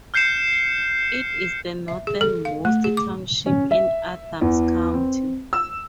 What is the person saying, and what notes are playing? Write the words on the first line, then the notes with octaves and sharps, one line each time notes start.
It is the northernmost township in Adams County.
F6 G6 C7 C#7 E7
E5
G#4
A4
F5
A3
G#4
D6
C#4
E5
E2
C4
E6